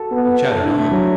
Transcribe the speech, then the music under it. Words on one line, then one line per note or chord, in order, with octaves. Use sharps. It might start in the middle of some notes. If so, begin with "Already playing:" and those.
He chattered on.
Already playing: F#4 A4
B3 B4
A4
D4
E4
A3
F#3